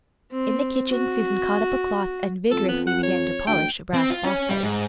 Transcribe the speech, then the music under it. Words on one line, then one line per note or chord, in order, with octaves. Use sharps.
In the kitchen Susan caught up a cloth and vigorously began to polish a brass faucet.
C4
F#4
F2 A4
B3
F#5
C#5
D2 G5
C4
F4
C#4
G3
G#2